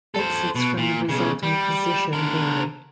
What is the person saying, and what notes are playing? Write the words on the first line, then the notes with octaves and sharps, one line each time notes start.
Exits from the resulting position vary.
A4 C5
B2
A#2
B1 C#3
G3
D3 A#4